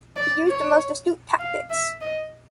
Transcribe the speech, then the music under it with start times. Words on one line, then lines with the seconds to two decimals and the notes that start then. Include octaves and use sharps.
He used the most astute tactics.
0.16 D5
0.48 C#5
1.39 F5
1.70 E5
2.01 D#5